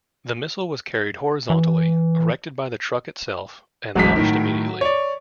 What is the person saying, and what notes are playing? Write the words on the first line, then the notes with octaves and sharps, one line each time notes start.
The missile was carried horizontally, erected by the truck itself, and launched immediately.
E3
E1 A1 F#3 G#3 B6
A2 D#3
C#5 D5